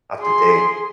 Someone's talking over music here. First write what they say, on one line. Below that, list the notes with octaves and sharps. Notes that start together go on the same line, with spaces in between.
up to date.
G#4 C6